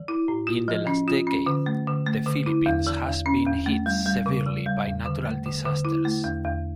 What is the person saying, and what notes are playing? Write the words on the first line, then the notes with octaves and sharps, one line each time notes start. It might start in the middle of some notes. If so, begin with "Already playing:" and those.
In the last decade, the Philippines has been hit severely by natural disasters.
Already playing: E3
E4
A2
F4
F3
C#4
F4
C#4
D3
A3
D3
A3
D3
E4
E2
E3
E2
C#4
E2
A3
G3
G3
C#3
E3
G3
E2
D3
A3
D3
D3
E4
A3
E2
E2